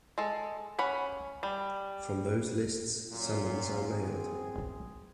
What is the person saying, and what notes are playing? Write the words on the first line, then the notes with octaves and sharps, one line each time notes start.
From those lists, summons are mailed.
G#3 A4
C#4 F#5 B5
G3
A#2 F#3 A#3 C#4 F4
F#2 E3 C4 G#4